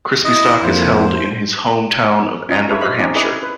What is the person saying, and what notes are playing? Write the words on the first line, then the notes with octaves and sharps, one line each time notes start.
Crispystock is held in his home town of Andover, Hampshire.
E4 D#5
F2 A#3 C5
C#4 F4 D#5 F#5 A#5
F4 A4 B4 C#5 E5
C5 D#5 F5 B5
C4 C#4 D#4 F4 G4 D5
E4 G#4 B4 D5 D#5
B4